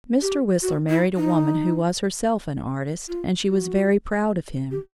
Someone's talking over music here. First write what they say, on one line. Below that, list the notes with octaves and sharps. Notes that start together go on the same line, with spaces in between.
Mr. Whistler married a woman who was herself an artist, and she was very proud of him.
G4
F#4
E4
D#4
F4
F#4
G4